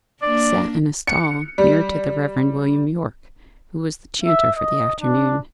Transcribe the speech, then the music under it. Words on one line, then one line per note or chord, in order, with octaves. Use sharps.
He sat in a stall near to the Reverend William Yorke, who was the chanter for the afternoon.
A#3 D4 D5
C#7
G3
E5
D#5
D4